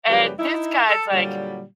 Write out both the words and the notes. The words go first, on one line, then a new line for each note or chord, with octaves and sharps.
and this guy's, like,
F#2 C#3 F3 G3 G4 B4
D#4 E4
A4
A#2 D3 F#3 G3